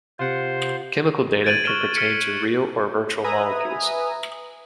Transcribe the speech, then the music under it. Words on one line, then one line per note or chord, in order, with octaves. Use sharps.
Chemical data can pertain to real or virtual molecules.
C3 F4 C5 F#5
G#6 A6 D7 D#7 F#7
C#6 F6 F#6 E7 G7
F6 A6 B6 C#7 D7
B4 E5 G#5 A#5 D#6